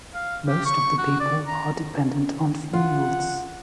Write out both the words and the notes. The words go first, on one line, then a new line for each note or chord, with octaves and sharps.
Most of the people are dependent on fields.
F5
G4
C#6
F#4
D5
A#5
F4 F#5